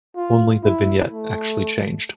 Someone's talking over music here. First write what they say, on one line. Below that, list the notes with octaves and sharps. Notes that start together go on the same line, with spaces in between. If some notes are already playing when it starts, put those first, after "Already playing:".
Only the vignette actually changed.
F4
E4
A3